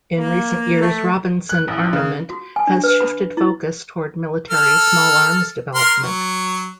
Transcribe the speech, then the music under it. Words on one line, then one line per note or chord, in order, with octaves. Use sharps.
In recent years Robinson Armament has shifted focus toward military small arms development.
A#3
A3
F#6
A1
C#3
F#4
G#5
D4
B4
B5
E4
A4 F6
A#4 C6 F6
F#3